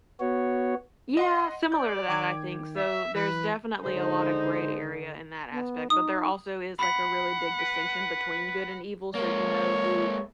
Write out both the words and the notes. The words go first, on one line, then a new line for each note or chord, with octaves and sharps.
Yeah, similar to that, I think, so there's definitely a lotta gray area in that aspect, but there also is like a really big distinction between good and evil, so you know who
B3 F#4 C#5
D#5 F#5 C6
D5 G6
D#3 G5 D6 G#6
E5
E3 B4
G#2 D3 D#4 C5
B3
D#4 D#6
F#5 B5 B6
B4
G#3 A#3 C#5